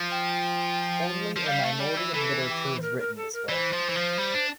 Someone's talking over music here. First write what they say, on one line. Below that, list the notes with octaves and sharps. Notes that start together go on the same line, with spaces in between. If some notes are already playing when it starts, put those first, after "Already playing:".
Only a minority of literature is written this way.
Already playing: F3
G5
F3
G3 F5
A3
G3 D5
E3
E3 A4
G4
C5
A#4
A#4
A4
A#4
E3 C5
F3
E3
F3
G3
D4